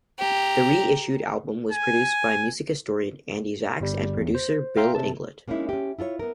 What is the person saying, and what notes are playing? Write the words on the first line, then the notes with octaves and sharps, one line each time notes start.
The reissued album was produced by music historian Andy Zax and producer Bill Inglot.
G4 A#5
G#5
G1 G3
E2
C5
E5 F5 G5 A#5 C6
C3 A5
G#3 A#3 C#4 D#4 E4
C#4 G4
E4 F4 A4 C#5
B3 A#4